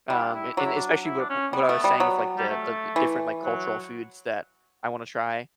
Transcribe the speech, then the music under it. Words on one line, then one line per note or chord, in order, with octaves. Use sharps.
um, and and especially wi w what I was saying with, like, the the li different, like, cultural foods that I wanna try.
G3 E4
D4
E4
F#3 D4
E4
D4
E4
D4
C#4
G3 B3
A3
G3
F#3
G3
A3
E3
F#3